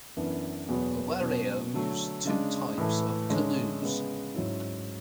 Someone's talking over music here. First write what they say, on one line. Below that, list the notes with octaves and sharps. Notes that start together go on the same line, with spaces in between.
The Warao use two types of canoes.
F#2 E3 B3 D4
E2 B2 F#3 B3
B2 F#3 C#4
D3 F#3 A3
C#3 G#3 D4
A2 E3 A3
D3 G#3 C#4
C#3 G#3 B3
G#2 F#3 C#4 E4